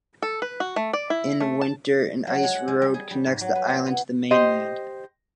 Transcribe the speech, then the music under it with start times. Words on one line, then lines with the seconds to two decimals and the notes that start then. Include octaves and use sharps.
In winter an ice road connects the island to the mainland.
0.22 A4
0.42 B4
0.60 F#4
0.76 A3
0.93 D5
1.10 E4
1.40 A3
1.61 A5
2.27 F#3
2.43 G#3
2.55 F#5
2.68 G#3
2.82 G3
2.94 G#4
3.11 G3
3.26 G#2
3.41 F#3
3.55 B4
3.70 E4
3.86 B3
4.31 G4 C5 D#5